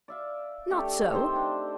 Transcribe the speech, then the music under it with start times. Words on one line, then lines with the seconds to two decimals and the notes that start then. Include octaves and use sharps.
"Not so."
0.08 D5 E5 F5
0.70 A3 D4 G4 A4
1.12 D#3 C4 C5 G5
1.36 D4